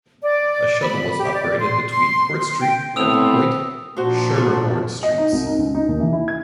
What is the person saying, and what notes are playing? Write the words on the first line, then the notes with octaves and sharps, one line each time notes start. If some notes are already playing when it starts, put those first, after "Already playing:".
A shuttle was operated between Court Street and Hoyt-Schermerhorn Streets.
D5
B5
G4
D5
C6
C6
C6
G5
A2 B3 C4 D#6 E6 F7
A#2 F3 D4 F#4 C5
F4 F#4 A4
D#5
D#4
C2
D#4
C#2
D#4
D#2
E3
E4
G#6